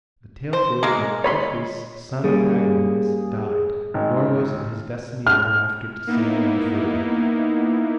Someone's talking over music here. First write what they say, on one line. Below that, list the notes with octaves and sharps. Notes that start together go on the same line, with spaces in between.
The tale goes that Tiphys son of Hagnias died; nor was it his destiny thereafter to sail any further.
C5
G#3 A#3
C#5 B5 C6
G3 A#3 C#4 G#4
G#1
F6
A#3 B3 D#4 E4